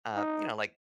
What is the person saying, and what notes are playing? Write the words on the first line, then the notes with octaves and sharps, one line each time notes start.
uh, you know, like
D#4